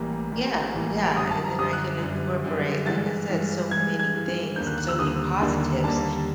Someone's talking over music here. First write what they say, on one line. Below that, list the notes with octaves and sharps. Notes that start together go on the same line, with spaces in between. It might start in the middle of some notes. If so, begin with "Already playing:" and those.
Yeah, yeah, and then I can incorporate, like I said, so many things and so many positives
Already playing: A1 A2 E3 G3 A#3
A1 A2 E3 G3 A#3
A1 A2 E3 G3 A#3
F#2 D3 G3 D#6
A5
A#5
F#2 D3 G3 D#6
F#6
F#2 D3 G3
F#2 D3 G3
G2 E3 G#3 A6
G2 E3 G#3
G2 E3 G#3 G#6
G#6
G2 E3 G#3
D#2 D3 G3 A#3 D4 G6
F#6
F#6
E6
D#2 D3 G3 A#3 D4 D#6
D#2 D3 G3 A#3 D4
D#2 D3 G3 A#3 D4 A5